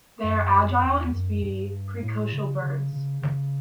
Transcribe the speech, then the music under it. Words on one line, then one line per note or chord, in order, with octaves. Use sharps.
They are agile and speedy precocial birds.
F#2
E2
F#2
G2
A2
C#3
C#3
C#3
C#3